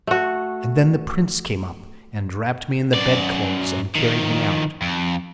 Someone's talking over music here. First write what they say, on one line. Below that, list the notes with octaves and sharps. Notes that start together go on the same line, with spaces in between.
And then the Prince came up and wrapped me in the bedclothes and carried me out.
A3 F#4
F#2 D5
D#3 F3
F2